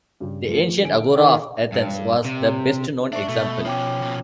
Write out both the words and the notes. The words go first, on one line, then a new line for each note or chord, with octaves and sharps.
The Ancient Agora of Athens was the best-known example.
G2 C#3 G4
F3 A3 F4
D3 G#5 D7
D#3
G2
C3
D4 E5 C#6
B2 A3
F3 C#4 C#5 G5 D6
B2